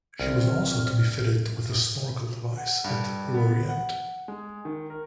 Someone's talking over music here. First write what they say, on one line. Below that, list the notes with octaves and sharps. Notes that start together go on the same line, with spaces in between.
She was also to be fitted with a snorkel device at Lorient.
C2 C4 F6
F#5
G2
B3
F#5
G#3
D#3
A#4